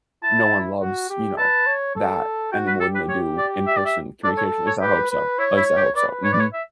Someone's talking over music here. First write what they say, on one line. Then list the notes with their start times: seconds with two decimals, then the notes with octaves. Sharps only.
no one loves, you know, that any more than they do in-person communication at least I hope so. At least I hope so, mhm.
0.23 E4 A5
0.80 F#4
1.10 G4
1.38 B4 A5
1.66 C#5
1.96 A4
2.52 F#4 G5
2.67 B4
2.81 G4 A4
2.95 B4
3.09 C#5
3.38 D5
3.67 E5
3.77 D5
3.86 E5
4.24 A4 D5
4.38 C#5
4.67 C#5
4.81 G4 B4
5.11 B4
5.39 E4 C#5
5.57 E4
5.77 G4
5.95 B4 D5
6.25 C#5
6.33 D5
6.40 C#5
6.54 E5